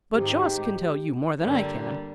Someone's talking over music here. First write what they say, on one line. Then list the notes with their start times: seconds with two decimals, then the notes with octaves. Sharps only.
But Jost can tell you more than I can.
0.13 G#2 D#3 G#3 C4 D#4 G4
1.40 G2 D3 G3 A#3